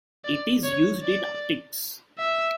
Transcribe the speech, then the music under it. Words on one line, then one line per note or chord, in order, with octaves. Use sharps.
It is used in optics.
D5
C#5
D5
E5